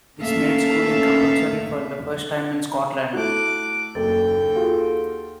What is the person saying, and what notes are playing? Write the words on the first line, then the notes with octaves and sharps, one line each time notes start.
This made schooling compulsory for the first time in Scotland.
A3 A#3 C#4 A4 E5 F5
A3 E4 F#4 D6 F#6
F#1 D#2 A4 G5
F4 F#4 G#4